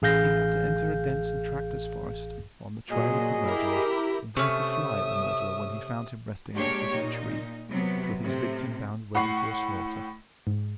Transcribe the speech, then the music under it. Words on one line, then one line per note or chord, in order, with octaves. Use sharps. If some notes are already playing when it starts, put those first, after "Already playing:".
He had to enter a dense and trackless forest, on the trail of the murderer, and there to fly at the murderer when he found him resting at the foot of a tree, with his victim bound ready for slaughter.
A1 G#4 F5 G6 A#6
A#2 F#3 G#4 D#5
E4 G4 A#4
C3 A3 C#4 E5 D#6
G#3 A#3 D4 G4 C#5
A#2 D#4
C3 F#3 B3
A2 C3
A2 F#5 B5 C#6 C7
G#2